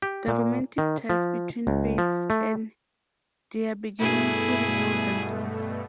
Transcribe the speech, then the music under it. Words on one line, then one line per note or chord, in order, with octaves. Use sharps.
The romantic ties between Face and Dia begin to reveal themselves.
G4
A#2
D#3
F3
C#2
F3
A3
G2 B2 A3 E4 G#4